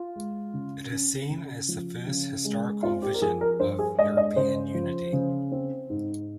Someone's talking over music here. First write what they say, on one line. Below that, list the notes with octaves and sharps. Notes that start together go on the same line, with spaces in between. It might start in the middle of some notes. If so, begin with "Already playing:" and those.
It is seen as the first historical vision of European unity.
Already playing: F4
G#3
C#3
C#4
C#3
F3
C#3
G#3
C4 F4
G4
A#4
F3 G#4
A#4
G2 C5
G#4
G#3 D#5
D#5
C#3 C5
F3
C#3
C4
G#2